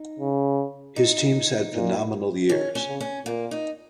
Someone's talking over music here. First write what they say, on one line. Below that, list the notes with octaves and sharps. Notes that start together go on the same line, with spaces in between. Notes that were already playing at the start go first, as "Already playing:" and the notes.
His teams had phenomenal years.
Already playing: D#4
C#3
D#4
A#2
D#3 C#4
C#4
C#3
C#4
A#2 A#3
D#4